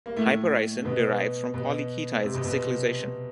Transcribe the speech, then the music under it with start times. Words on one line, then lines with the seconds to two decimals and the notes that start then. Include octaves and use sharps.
Hypericin derives from polyketides cyclisation.
0.06 A#3
0.16 A2 A3
0.85 B2 B3
1.54 B2 B3
2.22 C3 C4
2.34 B2 B3
2.45 B2 B3